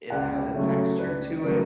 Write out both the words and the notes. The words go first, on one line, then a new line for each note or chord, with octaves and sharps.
it has a texture to it
C#2 D5 F#5
C#3 F#3 A3 C#5 E5
C#2 B4 D5
C#3 F#3 A3 B4 D5